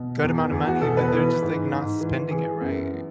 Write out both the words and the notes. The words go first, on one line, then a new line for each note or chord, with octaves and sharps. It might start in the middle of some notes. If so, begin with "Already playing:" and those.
good amount of money, but they're just, like, not spending it right,
Already playing: B2
E2
E2 G#4
F#4
B2 A4
B4
E3
G#2
G#2
E3
E3 G#4
F#2